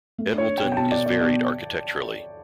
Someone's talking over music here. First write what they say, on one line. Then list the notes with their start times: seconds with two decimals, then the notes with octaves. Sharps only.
Edwalton is varied architecturally.
0.18 A3
0.33 D4
0.38 C#5
0.47 D4
0.58 G5
0.62 B2
0.72 G5
0.77 B2 A5
0.91 B2 D5
1.06 B2 D5
1.21 B2 D5